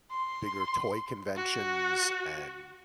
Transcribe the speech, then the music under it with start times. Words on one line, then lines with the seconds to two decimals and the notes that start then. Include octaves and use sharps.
bigger toy conventions and
0.11 C6
1.36 F#4